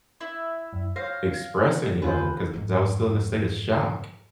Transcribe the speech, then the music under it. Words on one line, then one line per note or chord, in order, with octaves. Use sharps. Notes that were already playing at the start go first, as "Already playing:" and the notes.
express any of them 'cause I was still in a state of shock.
E4
F#2
C5 C#5 F5 A#6
F2 D#3 C#4 F4 B4 C5
F2 G#2